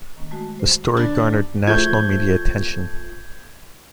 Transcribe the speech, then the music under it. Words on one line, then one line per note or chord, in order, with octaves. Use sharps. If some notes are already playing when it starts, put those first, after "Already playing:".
The story garnered national media attention.
D#3 A#3 C#4
G#3 A3 F#4
C5
G2 D3 D4
F3 A3 G6 G#6